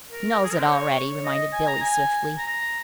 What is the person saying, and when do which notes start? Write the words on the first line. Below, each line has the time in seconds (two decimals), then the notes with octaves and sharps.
"He knows it already!" reminded Billie swiftly.
0.11 A#4
0.44 G#4
0.52 A#4
0.60 C5
0.68 C#5
1.25 D#5
1.53 G#5
1.67 A#5
1.81 G#5
2.38 A#5